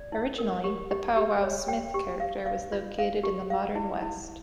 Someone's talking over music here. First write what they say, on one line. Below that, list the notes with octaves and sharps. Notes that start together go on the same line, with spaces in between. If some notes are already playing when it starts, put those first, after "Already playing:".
Originally, the Pow Wow Smith character was located in the modern West.
Already playing: D5
E4
A#4
G4
G4
G4
C#5
G5
G4
F5
F5
F4
F5
G4
F5
E4
E4